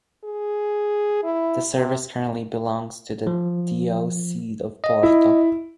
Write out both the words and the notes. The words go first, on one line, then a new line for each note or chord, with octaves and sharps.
The Service currently belongs to the Diocese of Porto.
G#4
E4
C3
F3
D#5
E4